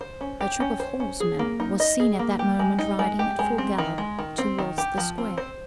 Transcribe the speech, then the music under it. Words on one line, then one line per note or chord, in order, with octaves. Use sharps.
A troop of horsemen was seen at that moment riding at full gallop towards the square.
C5
C#4
G4
C#4
C5
C#4
G#4
A#3
D#4
D#5
G#4
A#3
G4
G#3
D#4
G#3
G4
G#3
C4
D#3
G#3
D#3
C4
D#3
G4
F3
C4
C5